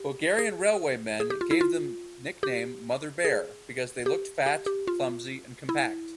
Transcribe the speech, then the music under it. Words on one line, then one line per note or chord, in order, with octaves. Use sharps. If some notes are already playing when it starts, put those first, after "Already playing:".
Bulgarian railwaymen gave them nickname "Mother Bear" because they looked fat, clumsy and compact.
Already playing: G4
G#4
G#4
G4
F4
E4
F4
G4
G#4
G4
G4
G4
F4
E4